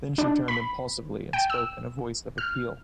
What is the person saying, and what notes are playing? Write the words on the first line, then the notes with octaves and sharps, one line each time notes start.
Then she turned impulsively and spoke in a voice of appeal.
D4
B5
G5
E6
F6